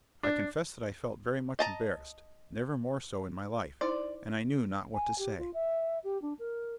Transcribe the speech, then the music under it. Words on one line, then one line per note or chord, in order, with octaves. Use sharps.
I confess that I felt very much embarrassed--never more so in my life--and I knew not what to say.
D4
D#5 A5 A#5
D#4 E4 C5 D5
G#5
G4
F4
E5
G4
D4
A#4